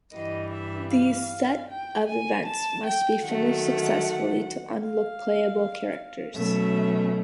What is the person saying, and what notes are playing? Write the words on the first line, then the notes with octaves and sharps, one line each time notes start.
These set of events must be finished successfully to unlock playable characters.
G2 E3 G3 D#5
E5
F5
G5
G#5
A5
G5
D#3 F#3 A3 F#5
F5
B2 F#3 A3 C#4 E5